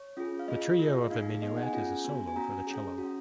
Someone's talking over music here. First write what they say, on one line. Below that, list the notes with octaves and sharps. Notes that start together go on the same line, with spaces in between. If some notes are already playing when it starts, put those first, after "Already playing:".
The trio of the minuet is a solo for the cello.
Already playing: C#5
C#4 F4 G#4
F5
A#3 F4 G#4 D#5
A#3 F4 G#4
A#3 D#4 G#4 F5
B3 D#4 G#4 D#5
F#5
G#5
C#4 F4 G#4
B3 F#4
G#5
A#3 C#4 F#4 A#5
C#4 G#4
F#4
C#4